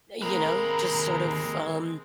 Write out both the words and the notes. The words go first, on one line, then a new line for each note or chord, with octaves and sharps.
Eh, you know, just, sort of, um
D#2 G#3 A#3 C4 A#5 B5